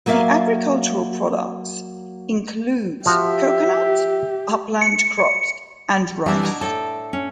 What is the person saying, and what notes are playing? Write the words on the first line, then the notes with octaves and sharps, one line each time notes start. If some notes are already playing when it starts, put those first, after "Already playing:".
The agricultural products includes coconuts, upland crops and rice.
F#3 A#3 D5 E5 F5
F3 F#4 G4 E5
C#7
E3 G3 C4 D4 E4
B2 G#5 A#5
A2 A4 G5 A5
C#4